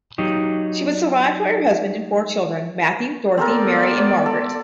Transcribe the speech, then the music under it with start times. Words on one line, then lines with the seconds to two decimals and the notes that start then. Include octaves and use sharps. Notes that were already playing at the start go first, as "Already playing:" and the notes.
She was survived by her husband and four children, Matthew, Dorothy, Mary, and Margaret.
0.18 F#3 D#4 G4
3.38 B3 C4 A4 A#4 D5
4.26 A4